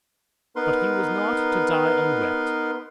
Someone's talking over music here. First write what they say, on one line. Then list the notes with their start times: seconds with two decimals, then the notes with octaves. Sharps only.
But he was not to die unwept.
0.56 B3 D#4 A#4 B4 C6